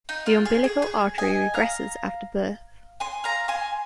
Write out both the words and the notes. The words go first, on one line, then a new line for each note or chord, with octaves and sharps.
The umbilical artery regresses after birth.
D#4
F4
G#4
G#4
G#4
D#5 G#5
F5 A#5
G#5 C6
F5 A#5
G#5 C6